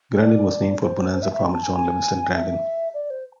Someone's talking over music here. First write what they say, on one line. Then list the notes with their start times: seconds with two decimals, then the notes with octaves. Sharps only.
Grandin was named for Bonanza farmer John Livingston Grandin.
0.21 D5
0.82 C5
1.13 C5
1.22 E5
1.33 E5
1.53 A5
1.63 G#5
1.73 G#5
2.34 E5
2.94 D5
3.10 C5